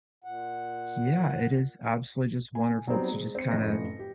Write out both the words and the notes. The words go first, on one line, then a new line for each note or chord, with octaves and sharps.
Yeah, it is absolutely just wonderful to just kinda,
A#2 F#5
G#5
F#3 G3 B3 C4 D#4
G#3
C4 C#7
F1 F#2 A2 F3 D#5 A#6
G4